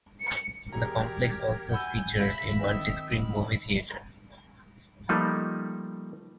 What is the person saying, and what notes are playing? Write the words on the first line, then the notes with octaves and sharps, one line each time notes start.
The complex also featured a multi-screen movie theater.
C#7
E1 G4 G#4 A#4 A#5 G#6
F#5 G#5 B5 E6 G6
E5 F5 B5 A#6 B6
D#3 C4 D#4 E6
B5
F3 G3 A3 A#3 D#4